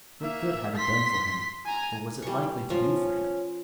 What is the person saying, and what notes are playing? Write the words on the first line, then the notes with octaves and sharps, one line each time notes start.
What good had it done for him, or was it likely to do for him?
A#3 E5
C6 B6
G#5 A#5
E3 G3 C#6
F3 C#4